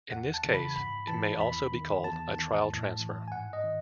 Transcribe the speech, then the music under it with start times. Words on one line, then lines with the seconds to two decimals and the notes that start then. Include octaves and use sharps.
In this case, it may also be called a "trial transfer".
0.12 E2 F#5
0.34 A5
0.44 C#3 E3
0.54 B5
0.76 G#2 B5
1.08 E3 A5
1.40 E2 B5
1.72 D#3
2.04 E2 A5
2.36 D#3
2.68 A2
3.00 E3
3.28 G#5
3.32 G#2 F#5
3.53 D#5
3.64 D#3